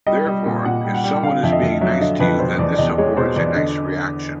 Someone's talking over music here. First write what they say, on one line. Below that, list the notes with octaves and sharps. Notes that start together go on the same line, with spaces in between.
Therefore, if someone is being nice to you then this affords a nice reaction.
G3 D#5
G3
A#2
A#2 F#5
G3
F#5
G3
D3 F5
F2 E5
D#5
F2
F#3 E5
D3 D#5
F2 B4
B2 C5
E2 D5
D5
E2 D#5
G#3 C#5
B2 C5
E2 D5
D3 D#5